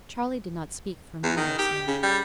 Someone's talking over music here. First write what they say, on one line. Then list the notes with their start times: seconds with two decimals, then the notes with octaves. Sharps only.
Charley did not speak for a minute or so.
1.23 E2
1.37 D#3
1.59 G4
1.87 C#3
2.03 G3